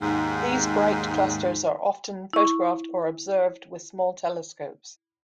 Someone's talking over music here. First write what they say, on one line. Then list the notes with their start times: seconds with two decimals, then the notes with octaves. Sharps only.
These bright clusters are often photographed or observed with small telescopes.
0.01 D#2 G#2
2.33 E4 C#6